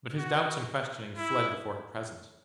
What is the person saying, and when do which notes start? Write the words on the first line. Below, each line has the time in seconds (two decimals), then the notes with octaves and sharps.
But his doubts and questionings fled before her presence.
0.18 F#4
1.17 E4